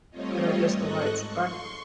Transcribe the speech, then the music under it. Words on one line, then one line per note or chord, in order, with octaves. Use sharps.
That are just the whites. Right.
G3 A3 C4 F4 C#5 D#5
G#2 A4 D#5 C#6 F#6
C6 C#6